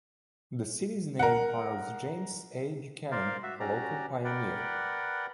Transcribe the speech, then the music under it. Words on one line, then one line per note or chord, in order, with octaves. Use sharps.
The city's name honors James A. Buchanan, a local pioneer.
A#4 F#5
A#4 C5 D5 F5
F#4 E5
C#4 F#4 G4 D5 A#5
A#4 B4 D5 F#5 G5